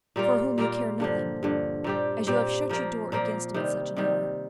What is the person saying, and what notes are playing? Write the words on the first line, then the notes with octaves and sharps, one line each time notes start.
"For whom you care nothing, as you have shut your door against him at such an hour."
A#2 G3 A#3 F4
A#2 G3 A#3 F4
G2 D3 F3
G2 D3 F3
A#2 G3 C4 G4
A#2 G3 C4 G4
A#2 F3 A#3
A#2 F3 A#3
C3 D#3 G3
C3 D#3 G3